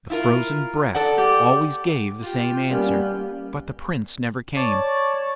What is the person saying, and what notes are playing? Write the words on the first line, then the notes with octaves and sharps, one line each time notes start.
The frozen breath always gave the same answer, but the Prince never came.
E4 F4 A#4
A4 D5 F#5
G4
F4 G4
G3 A#3 B3 C#4 G4
C#5 D5 A5